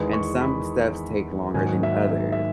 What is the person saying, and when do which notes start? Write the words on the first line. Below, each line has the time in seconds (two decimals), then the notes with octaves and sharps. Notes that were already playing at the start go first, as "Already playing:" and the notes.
and some steps take longer than others,
Already playing: E2 D#3 G#3 B3 B5
0.13 C#6
0.41 B5
1.54 G#2 D#3 F#3 A#3 G#5
1.83 E5
2.11 E5
2.32 E5